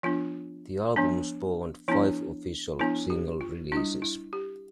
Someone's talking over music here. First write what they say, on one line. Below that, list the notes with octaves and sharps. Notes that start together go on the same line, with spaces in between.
The album spawned five official single releases.
F3 B3 D4 F4
F3 B3 D4
F3 B3 D4 E4
F3 B3 D4 E4
G4
F4
G3 D4 E4
E4
G4